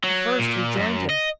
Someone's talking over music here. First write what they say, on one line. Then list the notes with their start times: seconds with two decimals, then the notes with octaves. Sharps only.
The first rejoined him.
0.04 F#3
0.39 A#2
0.77 F#2
1.10 D#5